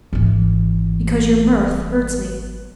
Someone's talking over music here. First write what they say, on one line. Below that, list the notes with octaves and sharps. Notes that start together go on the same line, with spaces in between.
"Because your mirth hurts me."
G#1 E3